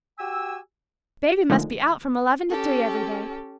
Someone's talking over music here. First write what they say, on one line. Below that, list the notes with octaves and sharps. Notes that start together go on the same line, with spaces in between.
Baby must be out from eleven to three every day.
F#4 G4 G#5 E6
D3 D#3 F3 G#3 A3
C#4 G4 A4